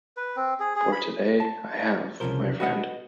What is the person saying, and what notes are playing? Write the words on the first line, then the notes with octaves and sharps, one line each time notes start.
For today, I have, my friend.
B4
C4
G#4
G#4
B5
A5
C2 C#3 E3 F3 A#4 C5
F#4 B4 D#5 F5 F#5